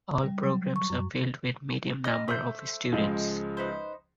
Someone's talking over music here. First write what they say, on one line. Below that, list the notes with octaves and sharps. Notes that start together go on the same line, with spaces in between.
All programs are filled with medium number of students.
G3
F#3
C#6
F#2
D#5 F6
A3 C5 G6
C#2 F3 G#3
D#4 B4 C5